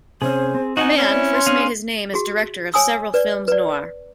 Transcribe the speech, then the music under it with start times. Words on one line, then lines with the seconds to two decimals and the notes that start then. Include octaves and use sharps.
Mann first made his name as director of several films noir.
0.22 C3 C4 C#4 G#4 C5
0.55 C4
0.77 D#4 F#4 D#5 F#5 G#5
0.98 C#4 E4 D5
1.34 C6
1.47 C4 D4 G#4 F5
2.14 F#4 G#4
2.74 C#5 G#5 D#6 E6
3.14 B4 D5
3.48 B4 D5